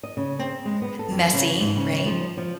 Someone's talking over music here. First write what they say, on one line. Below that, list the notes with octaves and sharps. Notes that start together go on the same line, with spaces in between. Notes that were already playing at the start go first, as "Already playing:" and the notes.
messy, right?
D#5
C#3
C4
G#3
B3
A4
F2
C#3
G#2
C#3
F3
F3